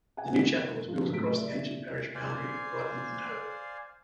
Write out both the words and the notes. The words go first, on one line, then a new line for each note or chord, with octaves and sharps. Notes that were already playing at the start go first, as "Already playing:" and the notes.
The new chapel was built across the ancient parish boundary of Brighton and Hove.
F#5 G#5
G#2 F3 F#4
A1 F#3 A3 G#4 B6 D7
D5 E5
C5 D5 F5 G#5